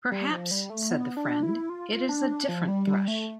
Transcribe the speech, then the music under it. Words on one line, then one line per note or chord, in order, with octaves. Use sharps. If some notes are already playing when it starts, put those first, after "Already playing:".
"Perhaps," said the friend, "it is a different thrush."
G3
F3
G3
A3
B3
D4
E4
F4
D4
F3
G3
G3
A3